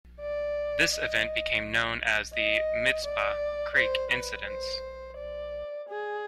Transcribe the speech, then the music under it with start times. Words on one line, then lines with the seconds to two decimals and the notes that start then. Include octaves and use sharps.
This event became known as the Mizpah Creek incidents.
0.21 D5
0.92 D#5
2.34 D#5
3.05 D5
3.76 C5
4.11 B4
4.47 C5
5.18 D5
5.89 G#4